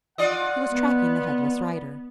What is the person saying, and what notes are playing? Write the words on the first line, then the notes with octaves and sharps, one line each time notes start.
He was tracking the headless rider.
F4 D5 D#5 F#5
B3